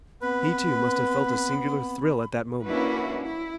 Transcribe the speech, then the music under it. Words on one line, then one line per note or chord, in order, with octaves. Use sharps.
He, too, must have felt a singular thrill at that moment.
B3 C4 B4 B5
A#3 C#4 D4 E4 F#4 B4
E4